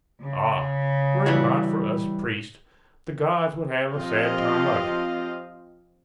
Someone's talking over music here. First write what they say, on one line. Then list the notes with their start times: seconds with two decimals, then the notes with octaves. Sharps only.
Ah! were it not for us priests, the gods would have a sad time of it.
0.21 C#3
1.26 E3 G3 F#4
3.95 F3 C4 F4 G4 D#5 F5